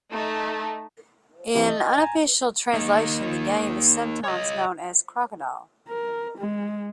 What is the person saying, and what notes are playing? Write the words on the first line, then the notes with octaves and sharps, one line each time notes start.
In unofficial translations, the game is sometimes known as "Crocodile".
A3 D#4
E3 C4 E4 G4
D#5
G#5 A#5
A#3 D#4
C#5 D#5
A#4
G#3